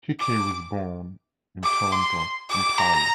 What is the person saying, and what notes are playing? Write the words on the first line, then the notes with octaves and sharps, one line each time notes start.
Hickey was born in Toronto, Ontario.
D6
D6
C6
D6
A#5